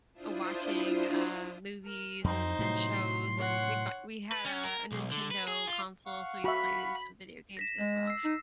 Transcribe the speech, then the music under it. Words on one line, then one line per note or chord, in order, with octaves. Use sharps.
uh, watching, uh, movies and and shows, and we'd bought we had a a Nintendo console, so we played in some video games as well.
D4 E4 F4 C5 D#6
A#4
F2 C4 D#4 C5
A2 C3 F#3 C6
C#5 F#5
B4
C#4
A#4
B1
D3
B4
G#4
F4
F5 F#5 C#6
F#4 E5 B5
A#6 B6 E7
G#3
E6 C7
D#4